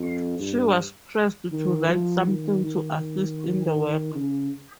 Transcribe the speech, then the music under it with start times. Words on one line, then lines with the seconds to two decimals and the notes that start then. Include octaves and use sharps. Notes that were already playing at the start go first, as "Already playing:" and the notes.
She was pressed to write something to assist in the work.
Already playing: F2
0.39 G2
1.53 D#3
1.89 F3
2.28 D#3
2.64 D#3
4.15 C#3